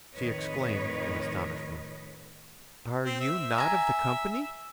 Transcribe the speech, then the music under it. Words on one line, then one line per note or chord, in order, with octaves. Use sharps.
She exclaimed, in astonishment, "Are you not of the Company?"
F2 A2 D#3 B4 C#5 D#5
C4
E5
G#5 A#5